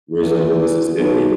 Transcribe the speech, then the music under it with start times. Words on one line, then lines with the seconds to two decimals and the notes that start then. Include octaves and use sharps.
originally Mississippi.
0.23 E2
0.99 B1